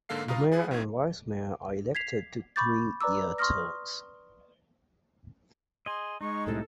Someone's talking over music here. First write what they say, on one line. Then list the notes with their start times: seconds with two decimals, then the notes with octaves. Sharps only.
The mayor and vice mayor are elected to three-year terms.
0.09 G#2 D3 A#3 A4 F5 C7
0.28 G2 F4 F5 A#5 D#6
0.52 F3 G#4 B4
0.71 A1 A2 C4 D#4 G#6
1.95 G#6 B6 C7 F7
2.56 B5 C#6 D6 G6 A6
3.01 B4 D5 A#5 D6 E6
3.38 C6 C#6 D#6 F6 A#6
5.86 G#4 D#5 C6
6.21 G#3 D#4 C#6
6.47 C2 A2 C3 A4